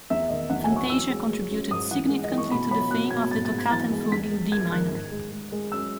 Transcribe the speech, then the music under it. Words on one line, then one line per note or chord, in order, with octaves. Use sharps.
"Fantasia" contributed significantly to the fame of the Toccata and Fugue in D minor.
E2 E5
D#3 D#5
E2 F#5
G#5
F#3
C#6
E3 E6
G#3
G#3
F#2
G#2 D#6
E3 F#5
G#3
D#5
E3
C#6
B2 B5
F#3 B5
B2 F#6
B2 G#6
G#2 A6
A6
G#2
G#6
E3 A6
G#3
E2 B6
G#3
G#3 G#6
D#3 F#6
G#2
G#3
G#3
G#3
F#2 E6